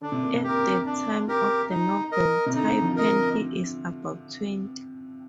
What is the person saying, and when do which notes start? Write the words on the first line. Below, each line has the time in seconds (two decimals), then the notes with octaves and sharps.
At the time of the novel Tai-Pan, he is about twenty.
0.01 D3 D4
0.12 C3
0.23 A#2
0.34 C3
0.44 G4 A#4
0.85 D4
1.28 G4 A#4
1.70 D#4
2.12 A#4 D#5
2.46 C3
2.54 D3 D#4
2.82 F3
2.96 A#4 D#5